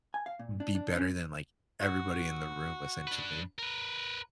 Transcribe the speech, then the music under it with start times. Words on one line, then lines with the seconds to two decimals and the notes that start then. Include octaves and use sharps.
be better than, like, everybody in the room, essentially.
0.14 G#5
0.26 F5
0.39 A#2
0.60 D4
0.75 D4
0.98 C#4
1.81 F#4
3.07 D4 B4
3.59 A#4 B4